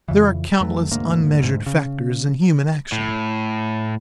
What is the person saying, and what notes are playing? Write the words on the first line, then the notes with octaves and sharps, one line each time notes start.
There are countless unmeasured factors in human action.
F2 C#3 E3
F2 E3 F#3 A3
E1 D2 G#2 A#3
D2 G#2
C#3
A2